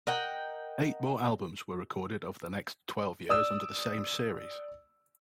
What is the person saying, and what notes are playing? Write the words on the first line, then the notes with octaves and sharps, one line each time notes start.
Eight more albums were recorded over the next twelve years under the same series.
A#4 D#5 F#5 G5
D5 D#6 E6